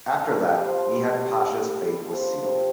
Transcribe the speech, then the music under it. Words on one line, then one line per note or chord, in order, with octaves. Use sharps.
After that, Midhat Pasha's fate was sealed.
A3
G3
G3
F3
F3
G3
A3
G3
G3
G3
G3
F3
D3
C3
C3